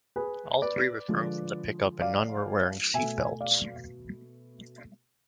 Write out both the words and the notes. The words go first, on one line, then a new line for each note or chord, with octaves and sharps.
All three were thrown from the pickup and none were wearing seatbelts.
G#4 B4
B4 D5
D3 F3 G#3
D5 F5
B2 A3 E5 G#5
D5 F5